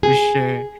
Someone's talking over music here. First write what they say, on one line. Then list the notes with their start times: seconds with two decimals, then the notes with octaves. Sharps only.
for sure.
0.03 G#4